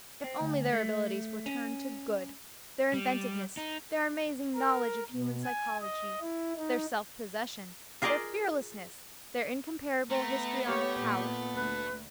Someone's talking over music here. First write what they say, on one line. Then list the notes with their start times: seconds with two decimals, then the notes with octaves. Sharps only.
If only their abilities were turned to good--their inventiveness, their amazing knowledge of human psychology, their self-possession, their fearlessness, their incomparable histrionic powers!
0.24 C4
0.41 D2
0.73 A3
1.46 C#4
2.93 G3
3.57 D#4
4.55 A#4
5.11 B2
5.44 G#5
5.81 D#5
6.21 E4
6.57 D#4
8.02 F4 G#4 A#4 D5 D#5
10.10 A3 B3 A#5
10.67 G4 C#5
11.01 A#2
11.55 D2 B4